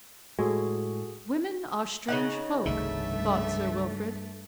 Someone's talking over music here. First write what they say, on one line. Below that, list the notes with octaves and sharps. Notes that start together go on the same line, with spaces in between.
"Women are strange folk," thought Sir Wilfrid.
A2 G#3 F#4 G#4 A4
C#3 D#4 F#5
F1 C2 G2 D#3 A3 E5